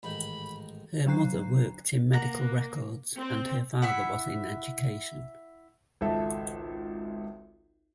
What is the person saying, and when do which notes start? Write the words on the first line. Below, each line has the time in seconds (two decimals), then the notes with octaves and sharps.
Her mother worked in medical records and her father was in education.
0.03 A1 G#2 D#3 B5
1.06 D3 F#3 D4 A#5 F#6 C7
2.13 A#3 F#5 A#5
3.18 C4
3.82 E4 E5 F#5
6.01 G#1 C#2 A4 E5